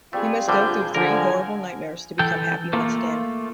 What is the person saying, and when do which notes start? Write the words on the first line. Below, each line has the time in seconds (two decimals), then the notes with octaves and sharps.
He must go through three horrible nightmares to become happy once again.
0.13 G3 A3 C4 F4 G#4
0.48 A#1 D3 F3 G3 D#6 E6 G6
0.95 D3 F3 G#4 A#4 D5 F5 G#5
2.19 E3 A4 G5
2.73 A3 A#3 F4